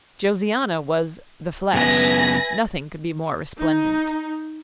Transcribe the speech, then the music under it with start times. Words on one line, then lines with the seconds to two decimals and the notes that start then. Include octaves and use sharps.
Josiana was "the flesh." Nothing could be more resplendent.
1.73 F#2 C#3 B3 B4 E5 G#5 A#6
3.59 D#4